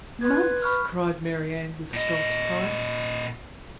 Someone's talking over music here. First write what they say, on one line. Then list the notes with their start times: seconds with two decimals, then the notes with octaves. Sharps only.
"Months!" cried Marianne, with strong surprise.
0.21 B4 C6 G#6
0.62 B5 C#6 F6
1.93 A#2 D#5